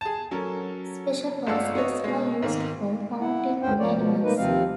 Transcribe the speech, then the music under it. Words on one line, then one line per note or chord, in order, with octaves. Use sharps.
Special baskets are used for mounting on animals.
G#4 A5
F#3 C#4 A4 A#4
G1 G#3 F4 D5 F#5 E6
B3 F#4 C#5 D#5
B2 G#3
G#2 D#3 A#3
E4 F#5
D2 G2 C#4 C5 G5
F3 A#3 C#5 D5
B2 F3
A#3 D#4 B4
D#2 C3 F3 C4 F5